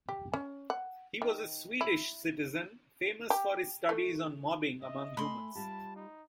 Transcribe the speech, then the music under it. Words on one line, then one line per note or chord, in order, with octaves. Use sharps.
He was a Swedish citizen, famous for his studies on mobbing among humans.
G4
C#4
F#5
D#3
E4
G4
A3
D#5 E5
A3 G#5 B5 C6
G3 F4 G4 A5
D#4